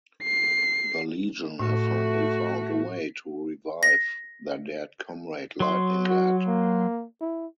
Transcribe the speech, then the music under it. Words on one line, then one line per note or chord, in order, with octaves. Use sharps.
The Legion have finally found a way to revive their dead comrade Lightning Lad.
C7
A2 A3 F#4
A#6
F#3 C6
F#4
A#3
E4